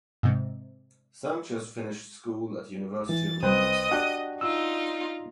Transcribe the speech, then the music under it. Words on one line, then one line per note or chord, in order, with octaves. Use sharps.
Sanchez finished school at University of New Mexico.
G#2 C3
E3 A6
C2 C4 B4 C5 D#5 D#6
D4 F#4 G4 F#5
D#4 F4 E6